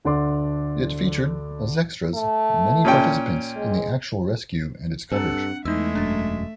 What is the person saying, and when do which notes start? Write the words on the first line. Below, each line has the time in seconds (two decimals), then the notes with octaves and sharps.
It featured, as extras, many participants in the actual rescue and its coverage.
0.05 D2 D3 D4 D5 C6 D6
2.15 A3
2.85 A#2 C#4 G5
3.56 G#3
5.12 G2 C4 D4 A4 F#5
5.65 E2 G#3 A3 D#4 E5 E6
5.95 E1 F#2 D4 A6